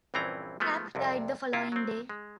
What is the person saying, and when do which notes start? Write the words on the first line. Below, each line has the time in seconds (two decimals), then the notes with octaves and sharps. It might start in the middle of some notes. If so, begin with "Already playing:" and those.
Kapp died the following day.
0.14 A#1 G2 E3 C4 C#4 A#5
0.60 F3 G#3 A3 B3
0.95 C2 F2 C3
1.53 C3 E4 F4
1.72 F#3 C4
2.09 G#3